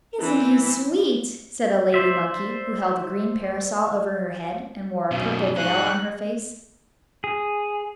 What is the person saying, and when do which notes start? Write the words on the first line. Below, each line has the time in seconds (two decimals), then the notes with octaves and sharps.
"Isn't he sweet!" said a lady-monkey who held a green parasol over her head and wore a purple veil on her face.
0.20 E3 C4
1.94 C5 D5 E5
5.11 F#2 B2
5.57 D#4 G#4 C#6 F#6
7.24 G#4